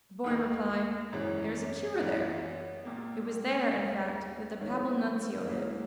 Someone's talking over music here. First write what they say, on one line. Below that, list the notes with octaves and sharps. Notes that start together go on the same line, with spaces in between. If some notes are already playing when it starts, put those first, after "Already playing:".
The boy replied: "There is a cure there." It was there, in fact, that the Papal Nuncio lived.
D#2 D#3 A#3 D#4
G#1 F#2 C#3 E3 G#3
F#2 E3 B3 E4
A#1 A#2 A#3
D#2 C#3 G#3
G#2 D#3 F#3 C#4 E4
G#2 F#3 A#3 E4 G#4